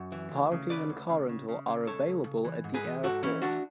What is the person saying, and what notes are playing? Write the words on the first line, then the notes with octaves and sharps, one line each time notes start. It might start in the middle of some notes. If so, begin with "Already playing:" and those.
Parking and car rental are available at the airport.
Already playing: F#2 F#4
E3
D2
C#3
D2 B4 D5
D2
C#3
C#3
C#3
C#3
C#2 A4 C#5
C#2
C#3
E3
G#2
G#4 B4
E3
G#2 F#4 A4
E3 C#4 E4
E3 D4 F#4